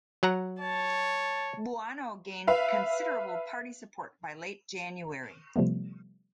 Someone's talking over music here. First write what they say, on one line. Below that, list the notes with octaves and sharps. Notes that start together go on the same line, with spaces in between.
Buono gained considerable party support by late January.
F#3 F#5 A#5
C#5 A5
B4 E5 F5
C3 F3 G3 A3 B3